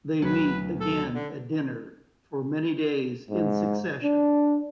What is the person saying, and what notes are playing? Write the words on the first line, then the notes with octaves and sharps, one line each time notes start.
They meet again at dinner, for many days in succession.
D2 B2 F#3 B4
A4
D3
G#2
D4